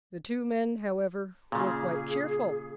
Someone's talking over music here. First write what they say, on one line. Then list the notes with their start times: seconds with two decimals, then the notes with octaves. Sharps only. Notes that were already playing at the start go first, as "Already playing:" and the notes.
The two men, however, were quite cheerful.
1.52 A#2 C#3 G#4